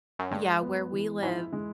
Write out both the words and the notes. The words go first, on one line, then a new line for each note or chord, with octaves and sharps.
Yeah, where we live,
F#2
G2 G#3
B3
E3
G#2 E4
G#3